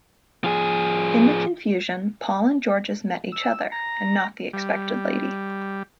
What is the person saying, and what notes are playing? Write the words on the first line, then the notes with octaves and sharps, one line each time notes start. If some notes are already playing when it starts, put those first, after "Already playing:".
In the confusion, Paul and Georges meet each other, and not the expected lady.
F3 G#4
E6
A#5
G3